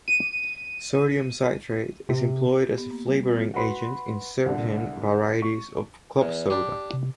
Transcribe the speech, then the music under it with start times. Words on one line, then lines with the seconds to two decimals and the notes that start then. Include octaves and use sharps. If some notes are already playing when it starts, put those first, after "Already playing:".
Sodium citrate is employed as a flavoring agent in certain varieties of club soda.
0.08 D#7
2.09 C3
2.64 G4
2.78 B3
2.91 A#3
3.06 G3
3.23 B3
3.37 F4
3.54 F#4 B4 B5 C6
4.46 C2 D3
5.42 C#6
6.22 E2
6.50 D4 G4
6.93 C3